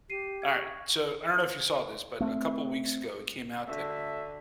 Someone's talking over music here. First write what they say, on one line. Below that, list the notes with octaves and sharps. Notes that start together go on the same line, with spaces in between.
all right, so I don't know if you saw this, but a couple weeks ago, it came out that,
G4 C7 D#7
C#6 G#6
A3 C4
D3 A3 F#4 E5